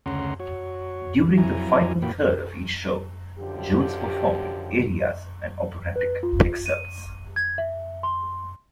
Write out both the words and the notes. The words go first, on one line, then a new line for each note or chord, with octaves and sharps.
During the final third of each show, Jones performed arias and operatic excerpts.
D2 C#3 C#4 F#5 A#5 C6
F#4 C#5
F2 F#3 E4 G#5 A#5
A#2 E3 A#3 F#4 G5 B5
F#2 D3 F3 G4
B4
F4
D#7
G#6
E5
C6